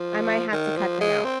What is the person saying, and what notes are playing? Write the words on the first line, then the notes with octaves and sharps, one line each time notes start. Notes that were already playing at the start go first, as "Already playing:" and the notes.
I might have to cut them out
Already playing: F3
D#3
F3
G#3
C4